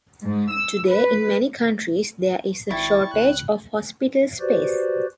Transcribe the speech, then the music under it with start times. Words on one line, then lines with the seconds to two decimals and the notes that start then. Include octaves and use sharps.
Today in many countries there is a shortage of hospital space.
0.23 G#2
0.52 E6
0.90 B4
2.71 G#1 E4 D5 G5 C#6 A6
3.13 C#2 F#6
4.40 F#4 G4 B4 C5 D5